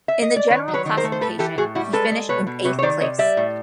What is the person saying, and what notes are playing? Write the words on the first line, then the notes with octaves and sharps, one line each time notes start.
In the general classification, he finished in eighth place.
E5
D#5
D5
D#3 B4 C#5
F#3
B4 C#5
D#3
A#4 C5
A3
C5
A2 A4 B4
E3 G4 A4
A2 F#4 G#4
G3 E4 F#4
G#3 A4 B4
G#3
B2 B4 C#5
B2
C3 B4 C#5
C#5
D#3 C5 D5
C3 C#5 D#5
G3 D5 E5
A2